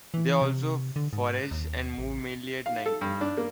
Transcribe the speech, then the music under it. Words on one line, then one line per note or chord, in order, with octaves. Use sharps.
They also forage and move mainly at night.
E3
C3
D3
G#2
D#2
A1
F5
A4
G2
D4
A#3